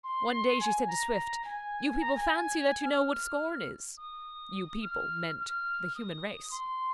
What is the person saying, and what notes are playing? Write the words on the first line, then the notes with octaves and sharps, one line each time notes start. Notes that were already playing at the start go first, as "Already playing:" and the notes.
One day she said to Swift, "You people fancy that you know what scorn is." "You people" meant the human race.
C6
G#5
A#5
G#5
A#5
G#5
G#5
F6
D#6
F6
F6
D#6
C6